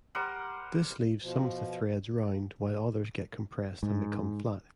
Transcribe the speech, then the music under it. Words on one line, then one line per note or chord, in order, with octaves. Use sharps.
This leaves some of the threads round while others get compressed and become flat.
G3 A#4 C5 F#5
B2 F3
G#2